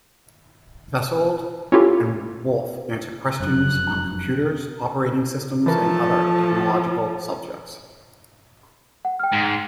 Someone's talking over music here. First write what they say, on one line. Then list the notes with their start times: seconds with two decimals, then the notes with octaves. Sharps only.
Fasoldt and Wolf answered questions on computers, operating systems, and other technological subjects.
1.72 C#4 E4 F4 G4 A4
3.40 F1 F#2 F#6
5.66 E3 F3 A3 A4 A#4 A5
9.05 F#5
9.19 G5 F6
9.33 G#2